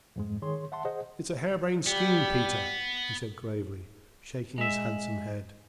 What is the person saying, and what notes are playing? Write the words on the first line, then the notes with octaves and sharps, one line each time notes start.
"It's a harebrained scheme, Peter," he said gravely, shaking his handsome head.
F2 G#2 G#3
D#3 G#4 C#5 C6
E5 F#5 A5 C6
G#4 C5 D#5 F#5
G3 B3
G#3 E5